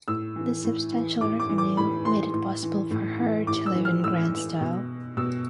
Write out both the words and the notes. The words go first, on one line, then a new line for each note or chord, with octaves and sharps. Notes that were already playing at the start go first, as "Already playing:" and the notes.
This substantial revenue made it possible for her to live in grand style.
A2 E6
E3
A2
E3
A2 D6
D6
E3
D6
A2 B5
E3 C6
A2
E3
A2
E3
A2 D6
E6
E3
F6
A2 E6
E3
B2
B2 E6